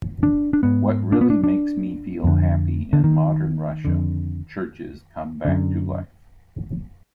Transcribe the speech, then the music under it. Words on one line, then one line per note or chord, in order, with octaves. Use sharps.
What really makes me feel happy in modern Russia-churches come back to life.
D4
D4
G#2 B3
D4
B3
D4
D4
F2 D3
D3
D#3
F2 D3
F#2 D3